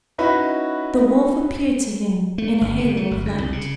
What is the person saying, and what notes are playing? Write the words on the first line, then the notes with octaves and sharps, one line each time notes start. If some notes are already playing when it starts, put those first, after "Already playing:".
The wolf appeared to him in a halo of light.
C#4 D#4 E4 F#4 B4
A3
G1
C3
A3
G1
F#2
C2
C#3